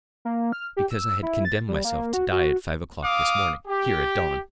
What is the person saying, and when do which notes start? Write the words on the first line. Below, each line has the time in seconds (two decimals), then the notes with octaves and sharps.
Because I had condemned myself to die at five o'clock this morning, here, at dawn.
0.25 A#3
0.52 F6
0.76 G4
0.91 E6
1.22 E4
1.45 A6
1.68 G3
1.84 A#3
2.13 F#4
2.32 F#4
3.03 F5 D6 D#6
3.66 G4